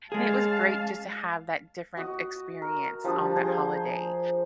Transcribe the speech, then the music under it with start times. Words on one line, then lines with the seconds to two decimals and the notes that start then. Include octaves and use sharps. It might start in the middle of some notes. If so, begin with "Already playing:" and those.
and it was great just to have that different experience, on that holiday.
0.12 G#3 C#4 G#4 F5 A5
1.97 F#4 D#5
2.62 A#4
3.04 F3 G3 D4 D#6
3.36 G#4 C5